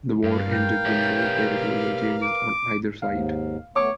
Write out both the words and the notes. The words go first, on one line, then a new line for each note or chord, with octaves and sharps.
The war ended with no territorial changes on either side.
G2 A#4 B4 F5
G5
G4 C#5 E5
D6
D#2 G#2 F5
A3 B3 C#5 D6